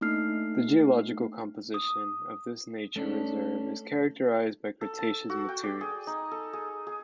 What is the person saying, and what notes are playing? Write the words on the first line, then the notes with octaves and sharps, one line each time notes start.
The geological composition of this Nature Reserve is characterized by Cretaceous materials.
A3 A#3 D4 D#4 F6 C7
D#6
A3 C#4 D4
A4
A5
F#4
G5
D5
G#4
D#4
A4
G#4
G#4